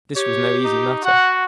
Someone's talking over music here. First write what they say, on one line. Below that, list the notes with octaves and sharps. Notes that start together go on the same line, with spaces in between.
This was no easy matter.
G4 C#5
D#4
F#4 F#5